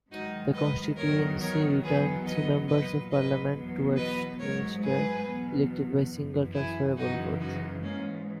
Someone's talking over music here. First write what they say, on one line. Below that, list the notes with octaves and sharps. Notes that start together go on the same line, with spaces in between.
The constituency returned three Members of Parliament to Westminster, elected by Single Transferable Vote.
G#2 D#3 F#3 D#4 F#4
B4 D#5
E2 D#3 F#3 A#4 C#5
A#4 C#5
E2 D#3 F#3 G#4 B4
B4 D#5
A#2 F#3 B4 D#5
B4 D#5
E2 B2 F#3
B4 D#5
G#2 F#3 A#4 C#5
G#4 B4
E2 B2 F#3
F#2 E3
E4 G#4
F#2 C#3 E3 D#4 F#4
D#4 F#4
G#2 E3 A#3 C#4